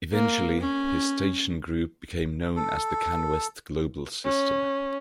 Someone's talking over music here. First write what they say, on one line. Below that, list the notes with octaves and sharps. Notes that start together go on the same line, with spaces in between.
Eventually, his station group became known as the Canwest Global System.
A#3
C#4
A4
C#4